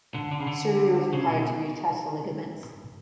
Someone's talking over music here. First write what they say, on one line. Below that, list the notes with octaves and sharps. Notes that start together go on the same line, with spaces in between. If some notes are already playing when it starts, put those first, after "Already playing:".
Surgery was required to reattach the ligaments.
D3
D3
C#3
D3
C#3
B2